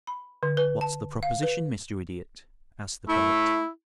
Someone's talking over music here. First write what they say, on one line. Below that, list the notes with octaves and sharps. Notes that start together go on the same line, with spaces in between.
"What's the proposition, Mr. Idiot?" asked the Poet.
B5
D3
B4
A5
F5
B4
A3 E4